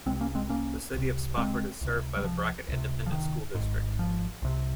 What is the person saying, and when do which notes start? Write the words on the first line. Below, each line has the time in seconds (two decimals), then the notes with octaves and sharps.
The City of Spofford is served by the Brackett Independent School District.
0.06 C2 G#3 C4
0.10 C3
0.21 A#3 C#4
0.35 G#3 C4
0.50 A#3 C#4
0.94 C2 C3
1.37 G#3 C4
1.81 C#2 C3
2.16 G3
2.24 F3
2.68 C#2 C3
3.06 F3
3.12 D#3
3.55 G#1 G#2
3.99 F3
4.42 C2 C3